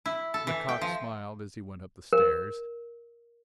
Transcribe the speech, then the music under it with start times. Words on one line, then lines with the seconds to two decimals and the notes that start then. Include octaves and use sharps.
Lecoq smiled as he went up the stairs.
0.06 E4
0.34 A4
0.47 E3
0.69 G5
0.81 F3
2.13 A#4